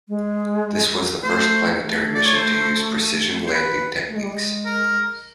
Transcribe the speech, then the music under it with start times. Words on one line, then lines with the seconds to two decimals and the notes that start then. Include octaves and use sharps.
This was the first planetary mission to use precision landing techniques.
0.09 G#3
1.23 A3 C5
1.80 A3
2.15 D5
2.25 C#5
2.37 C5
3.47 C5
3.52 B4
4.09 A3
4.16 G#3
4.23 G3
4.30 G#3
4.66 A#4